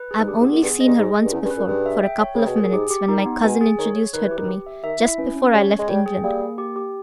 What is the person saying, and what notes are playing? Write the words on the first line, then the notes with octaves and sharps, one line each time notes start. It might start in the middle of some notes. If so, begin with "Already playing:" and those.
I have only seen her once before, for a couple of minutes, when my cousin introduced her to me, just before I left England.
Already playing: B4
G#4
G#2
G2 G4
G#2
B3
A#2
G2 G#4
D#5
G2
G#2 G#4
G#4
G2
E2 C#4
G2
B4
A#2
G2 G#4
E5
G5
C#5
C#3 G#4
B2
A#2 G#4
G#2 G4
G4
A#2 D#4
B3
B2 G#5
G#4
D#3 C#5
C#5
D#3 B4
E3
G4
D#3
G4
E5
D#3 E5
E4
E3 C#4
C#4
G3 C#5
C#5
G#3
G3 G5
G#4
G3 A#3
A#3
G4
G4